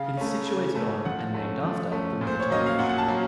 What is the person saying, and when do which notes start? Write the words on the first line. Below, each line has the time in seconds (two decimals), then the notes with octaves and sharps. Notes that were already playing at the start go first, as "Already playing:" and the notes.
It is situated on and named after the River Torridge.
Already playing: C#3 F5
0.17 A3 C#4
0.47 C#3
0.75 A3 C#4
1.05 F3 F#5
1.34 A3 C#4
1.64 F3
1.92 A3 C#4
2.21 A#2
2.27 C5
2.40 C#5
2.50 F#3 A#3 C#4 D#5
2.66 F5
2.79 A#2 F#5
2.89 F#5
2.98 A5
3.08 F#3 A#3 C#4